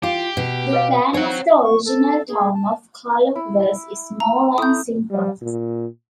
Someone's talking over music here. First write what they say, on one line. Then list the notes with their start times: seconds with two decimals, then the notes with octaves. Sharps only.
The plan of the Original Town of Carlock was small and simple.
0.03 F4 G4
0.37 B2
0.73 B4 D#5 F5
1.14 C4 C#5 F#5
1.62 C#6
1.85 A4
2.29 G#4
2.54 A5
3.35 E4
4.20 A#5
4.58 A3 E4 D#6 G6
5.11 G3
5.42 A#2